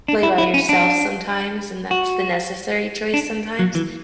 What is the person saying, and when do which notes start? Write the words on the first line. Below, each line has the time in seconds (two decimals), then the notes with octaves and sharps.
play by yourself sometimes, and that's the necessary choice sometimes,
0.08 D4
0.23 E4
0.38 E4
0.54 C#4
0.69 D4
1.91 F#4
3.14 D4
3.59 F#3
3.75 E3